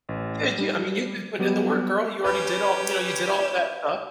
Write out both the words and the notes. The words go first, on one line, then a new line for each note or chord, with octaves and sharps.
yeah, yeah, I mean, you've been putting in the work, girl. You already did all, you know, you did all of that stuff.
A1
G3
F#3 G3 B3 G4
C#4 G4 B4